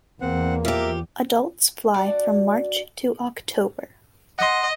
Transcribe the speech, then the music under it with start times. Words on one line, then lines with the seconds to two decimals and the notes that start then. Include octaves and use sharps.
Adults fly from March to October.
0.21 E2 A#3 C4 F#5
0.65 F3 G4 A#4 E5 D6
1.94 D4 F#4 D5 F#5
4.39 D#5 F#5 C6